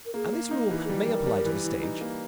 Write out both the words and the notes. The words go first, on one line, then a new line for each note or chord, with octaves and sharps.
And this rule may apply to the stage.
A#4
A#3 G#4
A#3
D#4
E3 G4
G#4
G3
G#4
G3 A#4
G3
E3
E3
D#4
A#3